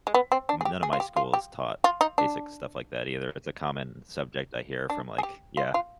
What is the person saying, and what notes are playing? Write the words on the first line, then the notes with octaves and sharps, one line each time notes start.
m none of my schools taught basic stuff like that either, if it's a common subject I hear from, like Yeah
G#3
B3
C4
D4
G#4
G4
G#4
F4
G4
F4
G4
F4
D#4
D4
D4
G#4
G4
F4
F4